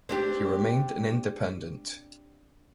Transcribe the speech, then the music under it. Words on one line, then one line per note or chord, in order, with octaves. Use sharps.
He remained an independent.
C4 D4 G4